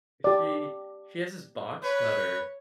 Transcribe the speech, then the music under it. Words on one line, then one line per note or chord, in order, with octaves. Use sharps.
she she has this box cutter
G4 D5
B4 C#5